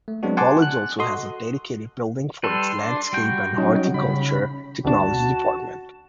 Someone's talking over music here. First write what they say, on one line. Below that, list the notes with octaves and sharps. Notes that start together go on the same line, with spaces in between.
The college also has a dedicated building for its Landscape and Horticulture Technology Department.
A3
F#3 G#3 B3 C4 D4 F#4
F#5 G#5 A5 C6 D6
F#6
F#4 A4 D#5 C6 D#6
G3 A4 B4 C6
D4
G3 F#4 G5
F#3 C#4 D#4
C#3 B5
D2 D4 F#4 A5